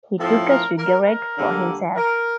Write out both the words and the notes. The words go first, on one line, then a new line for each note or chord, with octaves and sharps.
He took a cigarette for himself.
A2 F3 C4 A4
A#4
A#4
A#4
D3 G3 A#3
A#4